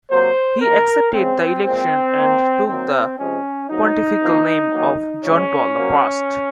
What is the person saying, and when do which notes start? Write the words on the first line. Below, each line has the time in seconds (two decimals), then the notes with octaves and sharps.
He accepted the election and took the pontifical name of "John Paul the First".
0.10 C3 F#3 A#3 C5
0.62 D#3 A#3 A#4
1.13 C#3 G#3 C4
1.64 A#2 G#3 C4
2.16 D#3 A#3
2.67 D#3 F#3 A#3 C4
3.18 C3 F3 G#3 C#4
3.69 C3 F#3 A#3 D#4
4.21 C3 F3 A#3
4.72 D#3 F#3 A#3
5.23 C#3 F3 G#3 C#4
5.75 C3 F#3 A#3